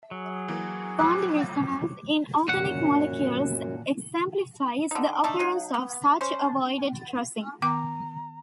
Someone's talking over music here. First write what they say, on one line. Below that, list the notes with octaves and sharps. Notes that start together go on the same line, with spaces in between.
Bond resonance in organic molecules exemplifies the occurrence of such avoided crossings.
F#3 G#4
E3 A#3
F2 A2 D6 F#6
F#2 A#2 F#4 F#5
D3 D#4
A3 D4 D#4
F#3 D#4
B3
C#4 C5
D#3 B3 G5 A#5 D6